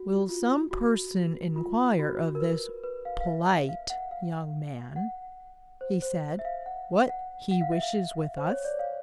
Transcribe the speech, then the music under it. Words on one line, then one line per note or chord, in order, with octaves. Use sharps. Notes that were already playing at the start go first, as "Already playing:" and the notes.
"Will some person inquire of this polite young man," he said, "what he wishes with us?"
Already playing: F#4
F4
F#4
F4
F#4
A#4
B4
B4
F5
F5
E5
F5
F#5
F5
F#5
C5
C5
E5
F5
F#5
F#5
F#5
F5
E5
F5
C5
C#5
D5
F5